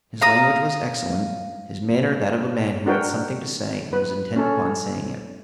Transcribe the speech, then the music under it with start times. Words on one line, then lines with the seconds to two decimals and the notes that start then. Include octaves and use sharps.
His language was excellent, his manner that of a man who had something to say and was intent upon saying it.
0.21 F5 A#5 D#6
2.86 D4 F#4 A#4 G5
3.93 B4
4.36 C#4 A4